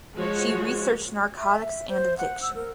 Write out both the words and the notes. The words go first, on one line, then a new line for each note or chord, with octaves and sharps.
She researched narcotics and addiction.
F3 G#3 F#4 C#5
E5
C5
F#5
E6
A#4